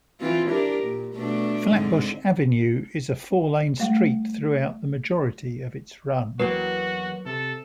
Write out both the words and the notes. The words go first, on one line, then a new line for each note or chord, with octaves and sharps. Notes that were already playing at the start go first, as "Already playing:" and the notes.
Flatbush Avenue is a four-lane street throughout the majority of its run.
E3 C4 F4
D4 G4 A#4
A#2
B2 A3 D4
G#2 D3 C4
G3 A3 F5
E2 F#3 A#3 F#4 B4 G5
C3 A4